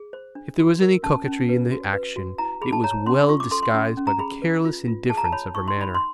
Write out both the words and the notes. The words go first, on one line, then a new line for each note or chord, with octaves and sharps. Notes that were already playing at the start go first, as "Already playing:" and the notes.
If there was any coquetry in the action, it was well disguised by the careless indifference of her manner.
Already playing: G#4
C5
D4
F#4
A#4
C#4 A5
C#4
B4
F#4
B4
F#4
E4 A#5
G#4 B5
A5
C#5 A#5
C#4 C6
F4 C#6
D6
A4 C6
C6
C#4
C#4
A#5
G#4 B5
B4
F4
F4
G#4 A5
A#5
A5
C#5 B5
D#4 C#6
C6
D#4 B5
C6